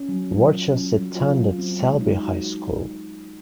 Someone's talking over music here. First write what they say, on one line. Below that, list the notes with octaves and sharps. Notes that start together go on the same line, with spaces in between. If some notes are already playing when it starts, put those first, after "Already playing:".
Warchus attended Selby High School.
Already playing: C#4
F#3
F4
F#3
C#4
F#3
F4
F#3
C4
G#3
D#4
F#4